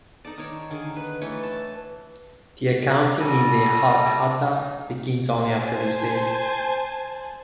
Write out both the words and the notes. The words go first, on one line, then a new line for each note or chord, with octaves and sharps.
The accounting in the "Halkhata" begins only after this day.
D#4 A4 D5
D#3 C#5
D3 D#3 G#4
B4
E3 A3 B4 C#5
A5
G3 A4 A#5 D#6
D#4
C5 G#5 A5